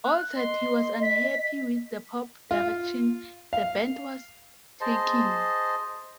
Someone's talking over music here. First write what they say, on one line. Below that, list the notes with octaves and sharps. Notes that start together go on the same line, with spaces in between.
Hall said he was unhappy with "the pop direction the band was taking".
F#6
D#5 C6
B6
F4
F5
G#4 C5 D#5 A5